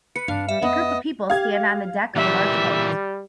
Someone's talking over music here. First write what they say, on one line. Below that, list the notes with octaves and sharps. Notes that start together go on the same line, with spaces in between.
A group of people stand on the deck of a large boat.
B4 C#7
G2 C4 D4 F5
G3 E5
F2 B3 D#5
G4 F5 G#6
A#2 E3 G3 E5